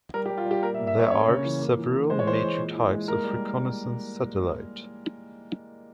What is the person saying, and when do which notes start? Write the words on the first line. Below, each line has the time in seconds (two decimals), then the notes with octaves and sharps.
There are several major types of reconnaissance satellite.
0.14 G3 A#4
0.25 G4
0.30 G3
0.38 F4
0.46 G3 G4
0.63 A#2 A#4
0.74 E5
0.79 A#3
0.87 E5
0.95 A#3 C#5
1.11 C#4 C#5
1.28 C#3
1.45 E3
1.61 A#3
1.78 E3
1.94 E3
2.10 G#3 C5
2.19 C#5
2.27 E3 C5
2.43 G#3
2.59 A#2
2.75 E4
2.92 G#3
3.08 A#3 A#4
3.24 G3